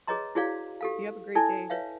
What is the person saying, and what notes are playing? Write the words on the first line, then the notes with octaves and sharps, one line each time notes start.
You have a great day.
G#4 B4 C#5 D#5 A#5 C6
E4 F#4 G#4 C#5 D5 F5
G4 A4 F5
E4 A4 D5 G#5 A5
B4 C#5 E5 F5